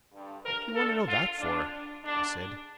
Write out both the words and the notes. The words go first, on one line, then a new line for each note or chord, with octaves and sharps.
"What do you want to know that for?" I said.
G2 D3
A#4
F2 D3 A4
F4
F2 D3 D4
E2 D3 D4